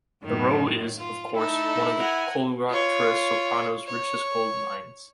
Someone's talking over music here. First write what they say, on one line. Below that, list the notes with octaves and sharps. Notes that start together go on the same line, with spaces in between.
The role is, of course, one of the coloratura soprano's richest gold mines.
F#2 A2 D#3
F4
A3 D#4 E4 A4
A#4 F#5 G#5
F4 C#5
C#5